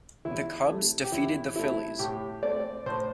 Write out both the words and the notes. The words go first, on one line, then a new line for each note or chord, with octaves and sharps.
The Cubs defeated the Phillies.
E2 E4
C3 A3
G4
E2 E4
C3 A3 E4
A2 G4
A3 C4 D5
A2 C5